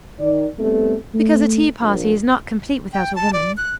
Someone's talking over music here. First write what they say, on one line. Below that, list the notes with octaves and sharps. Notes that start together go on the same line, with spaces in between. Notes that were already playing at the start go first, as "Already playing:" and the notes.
"Because a tea-party is not complete without a woman."
D#3 D5
G3 A3 B3 C4 D#4 A4
A3
A#1
G5
A5
D5
F#6